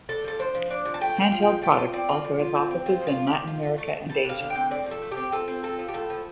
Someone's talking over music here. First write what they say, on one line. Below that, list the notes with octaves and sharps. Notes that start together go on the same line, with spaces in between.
Hand Held Products also has offices in Latin America and Asia.
D4 A4
F3 A4
D4 C5
F3
D4 D5
F3
A5
A3 G5
F3 G5
F4
G5
F3
A3 G5
F4
C4 D5
F4
F3
F4
C4
C4
F4 C5
F3
F4
D4
G4
F3
F4
F4
A3
A3
G3 A4
D3 F5
D3
G5
C4
A3 D5
F3 A4
A3
G4
C4
F4 A4
C4
F4 A4
F3
G4
A2 A4
F3